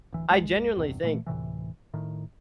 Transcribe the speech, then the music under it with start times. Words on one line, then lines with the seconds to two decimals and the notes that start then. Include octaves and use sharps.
I genuinely think
0.12 D1 E3
0.31 F#1 C2 G#3
0.76 A#1 E2 G2 C3
1.03 A#2 E3 F#3 A3
1.26 D2 A2 C3 E3
1.94 A2 D#3